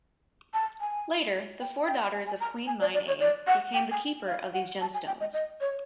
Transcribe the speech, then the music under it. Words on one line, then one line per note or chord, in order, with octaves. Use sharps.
Later, the four daughters of Queen Mine-a became the keeper of these gemstones.
A5
G#5
G5
G5
G#5
G#5
A#5
G#5
D5
D5
C#5
D5
F#5
G5
G#5
F5
F#5
A5
G#5
G5
D#5
D#5
C#5